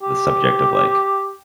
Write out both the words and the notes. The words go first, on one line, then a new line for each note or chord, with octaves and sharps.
the subject of, like,
G4